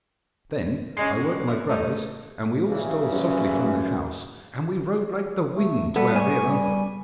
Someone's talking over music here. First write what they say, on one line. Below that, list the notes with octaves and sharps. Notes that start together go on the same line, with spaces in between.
Then I woke my brothers, and we all stole softly from the house, and we rode like the wind to our real uncle.
G#3 C#4 C7
F#2 D3 D#3
F#2
G2 F3 A3 D#4
G2 C#3 E3
F#2
A3
G3 B3 A4
G#5 C#6
G3